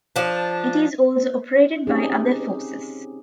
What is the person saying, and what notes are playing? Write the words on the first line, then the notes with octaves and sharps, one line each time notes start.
It is also operated by other forces.
F3 D4
C4 C#4 D#4 G4 G#4